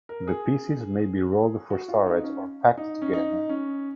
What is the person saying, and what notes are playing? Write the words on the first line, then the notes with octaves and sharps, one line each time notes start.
The pieces may be rolled for storage or packed together.
A#4
G#4
F#4
F4
D#4
C#4
D#4
C#4
D#4
C#4